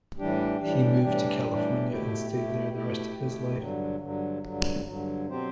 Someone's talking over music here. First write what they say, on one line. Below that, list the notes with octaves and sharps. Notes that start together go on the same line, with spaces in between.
He moved to California and stayed there the rest of his life.
A2 E3 G3 D4 G4
A2 E3 G3 D4 G4
A2 E3 G3 D4 G4
A2 E3 G3 D4 G4
B2 A3 E4 G4
B2 A3 E4 G4
B2 A3 E4 G4
B2 A3 E4 G4
G2 D3 F#3
G2 D3 F#3
G2 D3 F#3
G2 D3 F#3
B2 F#3 C4 G4 C5